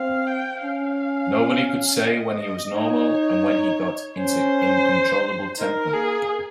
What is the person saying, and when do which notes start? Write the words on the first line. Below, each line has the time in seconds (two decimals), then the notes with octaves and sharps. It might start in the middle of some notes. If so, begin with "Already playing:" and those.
Nobody could say when he was normal and when he got into uncontrollable temper.
Already playing: C4 F5
0.27 G5
0.63 C#4 F5
2.05 D#5
2.75 D#4 C#5
4.17 C#4 C5
5.58 D#4 A#4
5.94 A#3 G#4